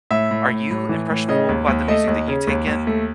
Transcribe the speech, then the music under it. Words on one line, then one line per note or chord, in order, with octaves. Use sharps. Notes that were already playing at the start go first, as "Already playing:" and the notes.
are you impressionable by the music that you take in?
A2 E5
A2
A2
A2
E3
A2
C#3 D#5
D#2
D#2
A3 D#5
D#2
C#3
D#2
D#2
A3